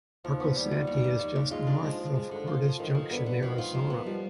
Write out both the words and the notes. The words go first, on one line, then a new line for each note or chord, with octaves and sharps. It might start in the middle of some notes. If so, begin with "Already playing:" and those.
Arcosanti is just north of Cordes Junction, Arizona.
D#2 F3
B3
D#2 G3
D#2
D#2
D#2
D#2
D#2
G#3 F4
D4
F3 G#3
G#3
G#3
D3
F4
F4
F3
D3 D#3
F3
D3 B3
B3
D#3 F3
F4
F3
B3
F3 G3